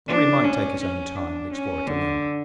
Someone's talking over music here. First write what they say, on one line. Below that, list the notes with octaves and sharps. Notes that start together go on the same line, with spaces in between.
Or he might take his own time, and explore it alone.
D4
C#4
C#4
D4
C#4
D3